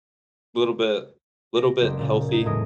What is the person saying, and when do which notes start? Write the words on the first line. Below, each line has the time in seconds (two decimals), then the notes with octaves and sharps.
Little bit little bit healthy,
1.56 A#6 D7
1.81 F#1 G#3 G4 C6
1.99 A#2 C#3
2.29 D#4 G#6
2.45 E2 A2 G#3 D#6 A#6 D7